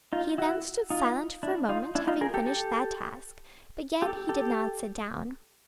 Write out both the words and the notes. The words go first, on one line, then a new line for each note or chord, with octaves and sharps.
He then stood silent for a moment, having finished that task; but yet he did not sit down.
D#4 F4
E4 F#4
D#4 F4
D4 E4
D#4 F4
D4 E4
D#4 F4
G#4 A#4
G4 A4
G4 A4
G4 A4
G4 A4